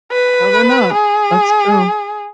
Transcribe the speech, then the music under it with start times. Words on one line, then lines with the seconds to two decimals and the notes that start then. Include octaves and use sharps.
No, they're not. That's true.
0.12 B4
0.93 G#4